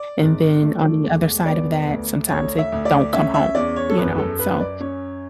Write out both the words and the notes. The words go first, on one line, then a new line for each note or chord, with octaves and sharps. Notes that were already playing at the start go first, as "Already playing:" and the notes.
And then on the other side of that, sometimes they don't come home, you know? So
Already playing: D5
G#1
A3
E1
B3 D5
D2
D2 C#5
E5
D2
D5
C#4 E5
E5
E2 D5
C#5
A4
F#2 B4
A4
F#2 B4
D5
C#4 C#5